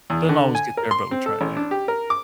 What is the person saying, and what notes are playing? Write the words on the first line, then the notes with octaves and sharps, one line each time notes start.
Doesn't always get there, but we try, yeah.
E2
D3
G#5
A#4
C6
C4
A4
A1
D4
G4
A#4
D6